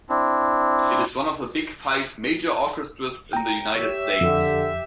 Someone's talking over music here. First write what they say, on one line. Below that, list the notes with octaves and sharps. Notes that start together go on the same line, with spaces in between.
It is one of the "Big Five" major orchestras in the United States.
C4 D4 E4
G5 A#5
G4 C#5 E5
F2 D3